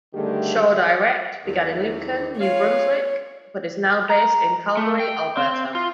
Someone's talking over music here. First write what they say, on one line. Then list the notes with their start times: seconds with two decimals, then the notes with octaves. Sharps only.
Shaw Direct began in Lincoln, New Brunswick, but is now based in Calgary, Alberta.
0.14 D3 D#3 G3 A3 G4 G#4
1.44 E2 D#3
2.40 F4 G#4 C#5 F5
4.10 A#5
4.77 A3
5.00 G5
5.37 C4
5.75 F4